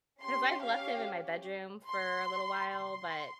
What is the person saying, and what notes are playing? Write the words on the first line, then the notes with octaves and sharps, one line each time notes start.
'cause I've left him in my bedroom for a little while, but,
C#4 G4 C6
F5
C6
C6